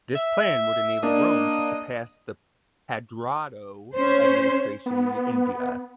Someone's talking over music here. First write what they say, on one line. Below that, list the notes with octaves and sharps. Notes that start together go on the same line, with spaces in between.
This plan would enable Rome to surpass the "Padroado" administration in India.
E5
A#3 D4 D#5
C#4 C5
B3